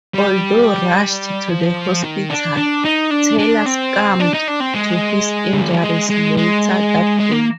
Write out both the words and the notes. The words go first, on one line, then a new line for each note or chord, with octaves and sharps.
Although rushed to the hospital, Taylor succumbed to his injuries later that day.
G3
F3
D#3
D4
D4
D#4
D4
D4
C4
D4
D#4
D4
C4
G#3
D3
D#3
F3
G3
G#3
G#3
G#3
G#3
A#3